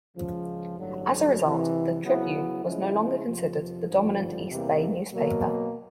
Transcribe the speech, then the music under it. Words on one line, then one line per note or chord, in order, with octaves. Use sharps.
As a result, the "Tribune" was no longer considered the dominant East Bay newspaper.
C#2 C#3 F3
A1 G2 D3 F#3
C2 C3 E3
C#3 F#3 B3 E4
C#3 F3 G#3 C#4 E4
F2 C3 F3
G#1 G2 D3 F3
E2 C3 E3 G3 A#3
B2 F#3 A#3